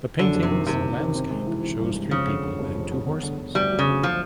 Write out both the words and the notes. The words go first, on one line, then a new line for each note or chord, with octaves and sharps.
The paintings landscape shows three people and two horses.
F#2 D3
F#1
C3
D#3
F#1 C3
F#1
D#3
C4
G#3
E3
E3
G2
G#3
F2 C#3
D3
D3
F1
F2
D3
B3
D3
D3
D2 G3
F#3
C#3
D2
F3